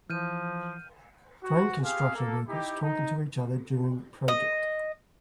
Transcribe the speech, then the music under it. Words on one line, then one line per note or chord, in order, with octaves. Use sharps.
Train construction workers talking to each other during project.
E3 F3 F6 G6 D#7
F#4
F4 G4 G#4 F5
A#3 A4
D#4 E4 G4
D#4
D#5